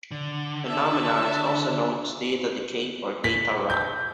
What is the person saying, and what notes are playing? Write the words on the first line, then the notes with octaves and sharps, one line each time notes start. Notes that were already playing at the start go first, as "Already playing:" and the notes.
The phenomenon is also known as data decay or data rot.
D3
D4 E5 A5
B6
G6